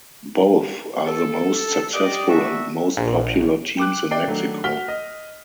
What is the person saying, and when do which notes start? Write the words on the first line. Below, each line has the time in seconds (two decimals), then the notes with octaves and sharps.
Both are the most successful and most popular teams in Mexico.
1.06 A4
1.94 G4 D5 D#5
2.29 G3 D4 F#4 E5
2.97 A#1
3.77 G5 D6 F#6
4.11 D5 E5 G5 C7
4.28 D#3 F#3 A3 D4
4.64 F#4 F6 B6 G7
4.88 D#5